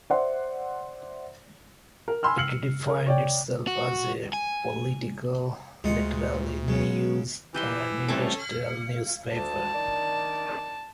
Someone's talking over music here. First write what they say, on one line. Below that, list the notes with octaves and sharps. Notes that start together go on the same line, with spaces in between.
It defined itself as a "political, literary, news and industrial newspaper".
C5 D5 E5 F#5 C6
A#4
G#5 B5 C6 E6 F6
E6 F6 C7 C#7 F#7
A#4
C#5 D5 G5
F#4
G#5
D2 G#3 F4 D#5 F#5
C#3 F#3 G#3
E3 G4 D#5 C6
G3 A3 C4 C#4 A4 C#5 A5 D6
D2 A5
D#3 D4 D5